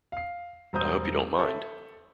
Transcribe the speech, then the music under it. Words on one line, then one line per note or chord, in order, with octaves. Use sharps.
I hope you don't mind.
F5 C7
E1 G2 C5 A#5 D#6 G6
A4 E5